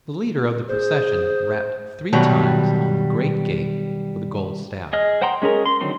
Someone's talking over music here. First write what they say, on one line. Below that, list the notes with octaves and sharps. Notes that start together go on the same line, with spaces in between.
The leader of the procession rapped three times on the great gate with a gold staff.
G#4 C5
B2 D#3 F#3 G3
G#4 D#5 F6
C5 F#5 G5 A#5 C6
G#3 C#4 G#4 A#4
C6
D3 D#3 F#3 C4 C6